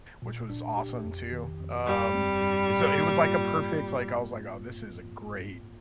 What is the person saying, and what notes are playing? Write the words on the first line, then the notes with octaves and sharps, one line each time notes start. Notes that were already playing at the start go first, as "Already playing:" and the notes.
which was awesome too, um, and, so, it was, like, a perfect like, I was like, "Oh, this is a great,
A#2
D4
G4
F2
D#3
F2
G2 G3
C4
G2
A2
A#3
F4